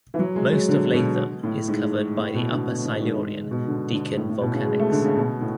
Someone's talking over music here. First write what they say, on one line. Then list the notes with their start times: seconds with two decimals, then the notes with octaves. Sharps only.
Most of Latham is covered by the upper Silurian Deakin Volcanics.
0.14 E3
0.19 F#3
0.36 G#3
0.53 F#3
0.69 D3
0.94 B2
1.43 A2
1.68 G#2
2.18 A2
2.35 B2
2.51 D3
2.68 B2
2.84 A2
3.01 G#2
3.17 G#2
3.51 B2
3.67 D3
3.92 D3
4.17 A2
4.29 A2
4.41 B2
4.54 C#3
4.66 G#3
4.80 A3
4.91 D3
5.04 C#3
5.16 B2
5.41 A2